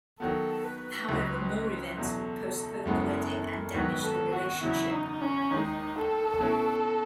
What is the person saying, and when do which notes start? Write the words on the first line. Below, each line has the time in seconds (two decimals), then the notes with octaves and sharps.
However, more events would postpone the wedding and damage the relationship.
0.20 D#3 F#3 B3 A4
0.64 B4
1.09 C#2 C#3 F#3
1.97 E2 B2 F#3 A4
2.85 F#1 F#2 C#3 G#3 B3
3.73 G#1 G#2 D#3 F#3 B3 B4
4.03 A4
4.33 F#4
4.62 E2 C#3 F#3 B3 E4
4.91 D#4
5.22 C#4
5.51 D#2 D#3 G#3 D#4
5.96 A4
6.40 B2 A3 C#4 E4 B4